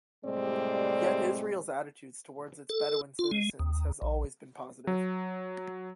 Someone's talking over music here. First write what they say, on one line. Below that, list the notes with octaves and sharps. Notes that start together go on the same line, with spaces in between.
Yet Israel's attitude towards its Bedouin citizens has always been positive.
A2 C3 G3 G#3 C4 D5
A4
F4
G#3
D#2
A#1
F#3